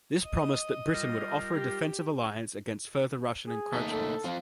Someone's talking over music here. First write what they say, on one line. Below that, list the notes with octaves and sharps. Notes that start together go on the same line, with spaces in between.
This promised that Britain would "offer a defensive alliance against further Russian encroachments".
D#5
G3 F4 A#4
G4
G#4
A3 A#3 D#4
A4
F3 C4 F4